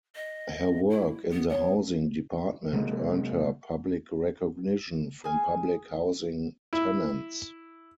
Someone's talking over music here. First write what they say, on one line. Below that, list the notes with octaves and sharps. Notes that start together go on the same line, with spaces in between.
Her work in the Housing Department earned her public recognition from public housing tenants.
D#5
E4
B3
B3 C#5
C3 F#3 G#3 A#3
G#4 G#5 F6
E4